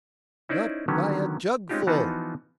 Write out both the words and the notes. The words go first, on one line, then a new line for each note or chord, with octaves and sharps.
"Not by a jugfull!"
C#4 D#4 E4 C5 D5
D3 D#3 F#3 B3 C#4
G#3 C4 C#4 D#4 F4 G4
E3 F3 B3 D#4 F4 F#4